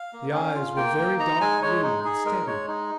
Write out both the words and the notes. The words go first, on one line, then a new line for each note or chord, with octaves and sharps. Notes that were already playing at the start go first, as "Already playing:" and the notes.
The eyes were very dark blue and steady.
Already playing: F5
A#3
C#4 F5
F4
A#3 G5
A#3
D#4 A#5
G#3 G#5
G#3 C#5
D#4
D#4 G#4
G#3 A#4
G#3 C#5
D#4